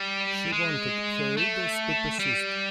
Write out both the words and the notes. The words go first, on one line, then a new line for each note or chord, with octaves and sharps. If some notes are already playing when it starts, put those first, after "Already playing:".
She wanted her riddles to persist.
Already playing: G3
G#3
A3
G3